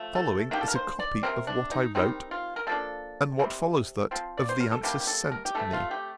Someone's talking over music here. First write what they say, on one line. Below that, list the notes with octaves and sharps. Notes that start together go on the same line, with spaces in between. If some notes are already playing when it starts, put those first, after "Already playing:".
The following is a copy of what I wrote, and what follows that, of the answer sent me.
Already playing: F3 A3
A4
D#3 A#3 D4 G4
A4
A#4
C5
D5
C3 F3 C4 A#4
D4
D#4
D#3 G3 C4 D#4
F4
A#4
F3 A#3 D4 A4
C3 G3 C4
F3 C4
D5
C5
A#4
A4
C3 G3 A#3 D4 G4
G4
A4
A#4
G4
C3 D#3 A3 A4
F4
G4